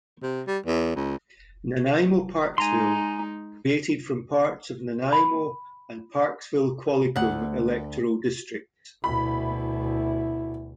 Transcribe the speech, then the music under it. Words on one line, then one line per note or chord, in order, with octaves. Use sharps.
Nanaimo-Parksville created from parts of Nanaimo and Parksville-Qualicum electoral districts.
C3
G3
E2
C#2
G#3 D#4 G#5 A#5 C6
B5
D2 F#5
D2 B2 E4 B5